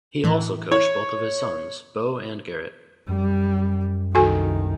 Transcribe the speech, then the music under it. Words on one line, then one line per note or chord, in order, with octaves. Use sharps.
He also coached both of his sons, Bo and Garrett.
A2 E3
E4 C#5
F#2 G3
C2 D#3 F#4 A4 G#5